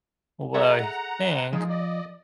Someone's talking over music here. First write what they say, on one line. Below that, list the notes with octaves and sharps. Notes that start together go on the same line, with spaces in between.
what I think,
G#4 A4 E5 F#5 A#5
F3 G#3 D#4 G#4
D5 D#5